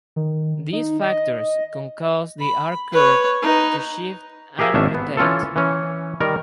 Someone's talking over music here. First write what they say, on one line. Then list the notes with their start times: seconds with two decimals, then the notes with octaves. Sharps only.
These factors can cause the R curve to shift and rotate.
0.16 D#3
0.73 D#4
1.01 D#5
2.39 B5
2.93 B4 C#5
3.42 D#4 B4
4.59 G4 G#4 A#4 E5 F5 G#5
4.74 G#1 C#4 D4 E5
4.94 B3
5.17 E3 C#4 F4 A4
5.56 E3 C#4
6.20 D#3 G3 A#4